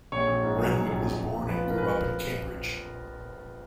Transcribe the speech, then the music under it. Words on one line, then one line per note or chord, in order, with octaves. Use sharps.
Renwick was born and grew up in Cambridge.
A#1 C#5
A#1
G#2
F#3 G#4
A#1
A#1
F1
F1
F2
F3 B4
F1
A#4
B4